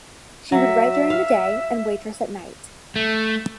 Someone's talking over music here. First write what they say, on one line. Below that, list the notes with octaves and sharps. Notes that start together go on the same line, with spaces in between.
She would write during the day and waitress at night.
F#3 E5
F5
A3